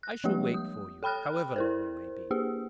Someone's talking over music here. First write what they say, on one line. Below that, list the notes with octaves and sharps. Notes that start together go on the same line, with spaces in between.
I shall wait for you, however long you may be.
F#6
F3 G3 G#3 A#3 G4
D#6
A4 G5 B5 F6 F#6
E4 A#4 C5
A#3 G4 G#4